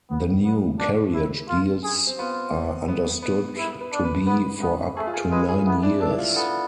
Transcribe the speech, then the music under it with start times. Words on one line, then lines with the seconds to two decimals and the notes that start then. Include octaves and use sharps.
The new carriage deals are understood to be for up to nine years.
0.10 B3
0.44 B3
0.80 D4
1.14 E4
1.49 F4
1.84 G#4
2.07 C4
2.19 B3 F4
2.88 B3
3.22 B3
3.58 E4
3.81 B4
3.92 D4
4.05 B4
4.27 B3 B4
4.62 B3
4.97 A3 G#4
5.07 F4
5.14 G#4
5.31 G#3 B4
5.49 G#4
5.66 B3 E4
5.83 D4
6.01 D4 A4
6.10 E4
6.18 F4
6.36 B3 A4